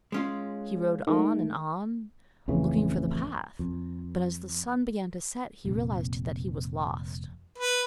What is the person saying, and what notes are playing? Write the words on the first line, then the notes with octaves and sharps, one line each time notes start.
He rode on and on, looking for the path, but as the sun began to set he realised that he was lost.
G#3 C#4 F4
D#3 G#3 A3
A1 F2 C#3 E3
F2
F1 F2 A#2
B4